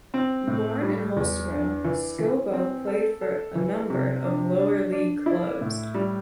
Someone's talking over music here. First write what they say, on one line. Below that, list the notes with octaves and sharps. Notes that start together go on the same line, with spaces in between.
Born in Holstebro, Skoubo played for a number of lower league clubs.
C4
A2
G3
E2
D4
E3
E3
C4
A4
A4
E3
C3
D4
D4
D4
E4
A2
G3